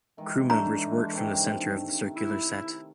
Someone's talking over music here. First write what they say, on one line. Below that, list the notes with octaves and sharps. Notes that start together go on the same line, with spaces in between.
Crew members worked from the center of the circular set.
D#3 E3 G#3
A3 D4 A#5
C3 D#3
E4